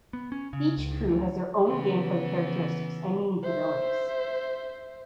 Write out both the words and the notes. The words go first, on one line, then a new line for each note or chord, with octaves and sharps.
Each crew has their own gameplay characteristics and unique abilities.
B3
C#4
C#3
C#2
D2
C#3 E3 B3
C5 E5